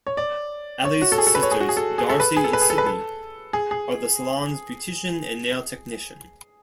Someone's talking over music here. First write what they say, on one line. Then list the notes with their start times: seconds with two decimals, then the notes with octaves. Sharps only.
Allie's sisters, Darcy and Sydney, are the salon's beautician and nail technician.
0.07 C#5
0.17 D5
0.85 C#5
1.02 F#4
1.12 A4
1.18 G#4
1.27 A4
1.35 B4
1.43 C#5
1.51 G#4
1.61 F#4
1.69 G#4
1.77 A4
1.98 G#4
2.10 A4
2.20 B4
2.36 G#4
2.44 A4
2.53 B4
2.61 G#4
2.70 A4
2.78 B4
2.86 A4
3.53 G#4
3.71 G#4